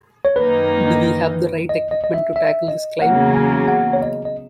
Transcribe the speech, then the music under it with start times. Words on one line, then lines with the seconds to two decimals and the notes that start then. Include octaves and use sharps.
Do we have the right equipment to tackle this climb?
0.25 C#5
0.35 F#2 D#3 A#3 D#4 B4
1.69 D#5
1.91 D#5
2.04 D#5
2.14 E5
2.36 E5
2.68 D#5
3.01 E2 C#3 F#3 A#3 F#5
3.34 G#5
3.68 F#5
3.93 C#5
4.02 D#5
4.25 D#5